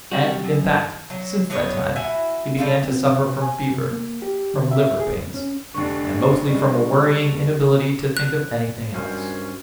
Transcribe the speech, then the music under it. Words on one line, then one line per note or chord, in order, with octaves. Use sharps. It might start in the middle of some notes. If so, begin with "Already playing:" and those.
And, in fact, since that time he began to suffer from fever, from liver pains, and mostly from a worrying inability to think of anything else.
C3 G3 F#4
F#2
G2
F#3
F#3 B3 D#4 C#5
E4 F#4 G#5
B2 G3 F4 A4
C4
C3
G#5
C3
A#3
G4
D3
E5
G#4
F2
C#4
F1 D3 D4 C#6
G3 G#3
F#6
G2 C#4 F#4 A#4 C5 G#5